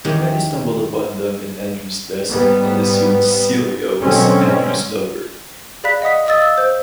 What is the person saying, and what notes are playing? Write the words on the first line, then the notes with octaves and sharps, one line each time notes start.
Penny stumbled upon them in Andrew's desk, and assumed Celia was Andrew's lover.
E2 D#3 G#3 C#4 G4
G#2 G3 B3
B2 D3 F#3 G#3 C4 C#4
G#4 D5 F5 B5 F#6 B6
D#5 F#5 D#6 B6
D#5 F5 D#6 E6 A6
E6
C5 G6